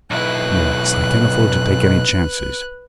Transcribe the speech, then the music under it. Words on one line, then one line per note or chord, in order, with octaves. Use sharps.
Yes, I can't afford to take any chances.
B1 E4 B4 F#6